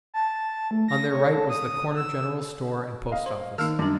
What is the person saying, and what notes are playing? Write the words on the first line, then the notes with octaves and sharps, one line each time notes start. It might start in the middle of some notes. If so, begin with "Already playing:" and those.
On their right was the corner general store and post office.
A5
A3
A#6
C#5
A4
D#6
E6
D#5 F5
C5 C6
D#3 A#3 D#4 E6 F6
F#2 G3 D4